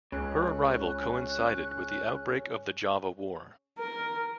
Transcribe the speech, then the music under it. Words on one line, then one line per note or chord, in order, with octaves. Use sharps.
Her arrival coincided with the outbreak of the Java War.
C#2 C#3 C#4 F#6
A#4